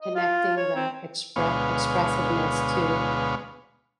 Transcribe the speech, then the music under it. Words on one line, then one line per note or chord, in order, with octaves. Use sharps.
connecting that expre expressiveness to
D#5
F4
C#5
C4
D2 B2 G#3 B3 C#5 F5